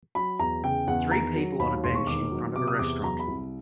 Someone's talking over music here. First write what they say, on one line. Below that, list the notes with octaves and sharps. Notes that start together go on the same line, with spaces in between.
Three people on a bench in front of a restaurant.
F#3 B5
E2 A#5
C#3 G5
E2 F#5
D#3 A#5
F#3
D#2 B5
E1 C6
C#6
D#3 D6
F#3
C3 D6
D#6
E2 D6
F#3 A#5
B5
C2